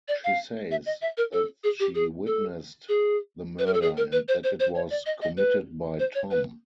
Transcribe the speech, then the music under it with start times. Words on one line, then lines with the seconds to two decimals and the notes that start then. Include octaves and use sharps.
She says that she witnessed the murder and that it was committed by Tom.
0.08 D5
0.24 F5
0.71 E5
0.86 D#5
1.02 E5
1.17 A#4
1.33 A4
1.64 G#4
1.80 G4
1.95 G#4
2.27 A4
2.89 G#4
3.59 B4
3.66 A#4
3.74 A4
3.82 G#4
3.97 A#4
4.12 B4
4.28 C5
4.44 C5
4.60 C5
4.75 C#5
4.91 D5
5.06 D#5
5.22 D#5
5.37 B4
5.99 C5
6.15 C#5
6.31 B4